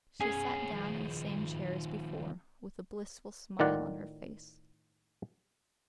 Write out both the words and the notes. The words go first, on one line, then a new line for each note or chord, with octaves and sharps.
She sat down in the same chair as before, with a blissful smile on her face.
B3 C#4 G#4
D#3 F3
A2 D#3 F4 D5 F#5